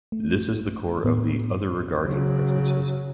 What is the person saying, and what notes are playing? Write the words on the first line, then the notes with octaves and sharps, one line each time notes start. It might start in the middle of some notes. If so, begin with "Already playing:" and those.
This is the core of the "other-regarding" preferences.
A3
A2 B3
C#3 F#3